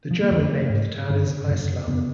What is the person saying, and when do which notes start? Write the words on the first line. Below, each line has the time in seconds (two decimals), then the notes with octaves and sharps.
The German name for the town is Eislaben.
0.11 F3
0.22 A#3
0.31 F2 D3 A3
0.70 G#2
1.09 G2 D3
1.48 F#2 C#3
1.87 F2 C#3 B3